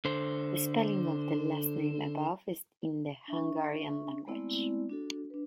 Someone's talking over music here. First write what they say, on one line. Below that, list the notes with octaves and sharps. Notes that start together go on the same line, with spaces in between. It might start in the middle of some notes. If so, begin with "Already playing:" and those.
The spelling of the last name above is in the Hungarian language.
D3 C5
D4 E5 C#6
G#3 A3 B3 C4 E4 D5
D4 F#4 A4
D4 B4